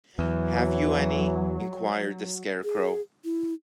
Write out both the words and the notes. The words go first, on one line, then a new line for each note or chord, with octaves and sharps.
Have you any? enquired the Scarecrow.
E2 E3 F#3
G#4
E4